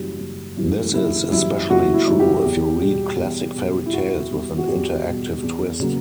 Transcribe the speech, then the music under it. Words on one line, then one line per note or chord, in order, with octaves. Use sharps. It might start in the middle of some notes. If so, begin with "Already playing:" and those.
This is especially true if you read classic fairy tales with an interactive twist.
Already playing: F#1 F#2 E3 G3
F#1
F#2 E3 G3
F#1 E4
F#2 E3 G3 E4
F#1 F#4
E4
F#2 E3 G3
G4
E2
B2 G3
E2
B2 G3
E4
E2 F#4
B2 G3
F#4
E2 G4
B2 G3
E2
C#3 F#3 A#3